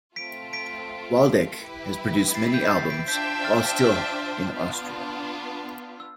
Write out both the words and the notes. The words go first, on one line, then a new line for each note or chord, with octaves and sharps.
Waldeck has produced many albums while still in Austria.
A3 C4 F4 B6 D7
B6 D7
E4 G4 B4
A6 C7
G6 B6
A6 C7
B6 D7
D4 F4 C5 E5 G5 G6 B6
F6 A6
F6
B3 D4 F4
E6